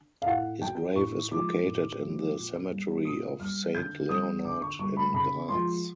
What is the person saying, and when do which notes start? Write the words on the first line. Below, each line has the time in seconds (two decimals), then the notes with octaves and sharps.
His grave is located in the cemetery of Saint Leonhard in Graz.
0.22 F5
0.26 A2 F#5
0.61 F#3 G5
0.96 A2 C#6
1.31 F3 G#3 D6
1.66 A2
2.00 F3
2.06 G#3
2.35 A#2
2.71 G3
3.05 A#2 D#6
3.40 G3 F6
3.75 D3 G6
4.09 G3 D#6
4.45 D3 D6
4.62 C#6
4.79 G3 C#6
4.97 B5
5.14 C#3 B5
5.49 F3 G#3 C6